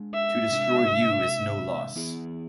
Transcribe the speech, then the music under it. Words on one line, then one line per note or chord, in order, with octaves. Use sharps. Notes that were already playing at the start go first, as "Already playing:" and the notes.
To destroy you is no loss.
Already playing: G#3 D4
E5
C3 G#3 D4
E3 B3 E4 G#4